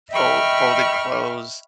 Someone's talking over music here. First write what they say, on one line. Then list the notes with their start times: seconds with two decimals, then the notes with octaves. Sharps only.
fol folded clothes
0.11 D#5 E5 G5 B5 C#6 F6